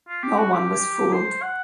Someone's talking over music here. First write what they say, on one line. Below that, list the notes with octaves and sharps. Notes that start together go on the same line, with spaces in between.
No one was fooled.
F4
G4
F#4
G4
C5
F#5